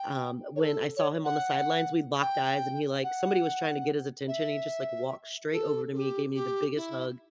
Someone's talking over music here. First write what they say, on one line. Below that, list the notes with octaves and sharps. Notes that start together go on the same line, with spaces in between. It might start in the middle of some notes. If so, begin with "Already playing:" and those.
um, when I saw him on the sidelines, we locked eyes and he like somebody was trying to get his attention, and he just, like, walked straight over to me, gave me the biggest hug,
Already playing: G5
C#5
A4
C#5
F#5
G5
F#5
E5
A4
A4
G4
G4
E4